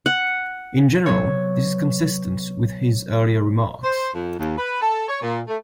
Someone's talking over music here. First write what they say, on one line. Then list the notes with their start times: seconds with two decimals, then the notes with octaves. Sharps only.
In general, this is consistent with his earlier remarks.
0.06 F#5
1.06 C3 F#3 B3 C#5
3.84 C5
4.14 F2
4.39 D#2
4.58 B4
4.81 A4
5.09 C#5
5.22 A#2
5.48 A3